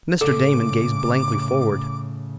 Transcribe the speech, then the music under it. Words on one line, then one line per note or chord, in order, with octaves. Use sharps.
Mr. Damon gazed blankly forward.
A2 C#3 A4 D6